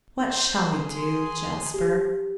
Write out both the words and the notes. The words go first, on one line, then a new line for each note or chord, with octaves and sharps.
'What shall we do, Jasper?'
C5
G#4 C6
G4